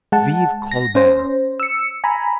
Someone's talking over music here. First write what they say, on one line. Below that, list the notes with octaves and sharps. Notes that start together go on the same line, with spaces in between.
Vive Colbert!
G#3 F#5 A5
A#6
C#4 C5
E6 C#7
G#5 A#5 B5